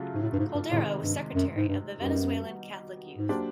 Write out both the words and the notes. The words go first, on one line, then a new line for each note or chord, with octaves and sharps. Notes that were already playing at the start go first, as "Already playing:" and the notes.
Caldera was secretary of the "Venezuelan Catholic Youth".
Already playing: C#3 F#3 A3 D4 F4
G#2
A2
G2
G#2
G2
A2 C3 D#3 G#3
G2
F#2
G#2
G2
F#2 G3 B3 D#4 F#4
G#2
F#3 A#3 D4 G4 C5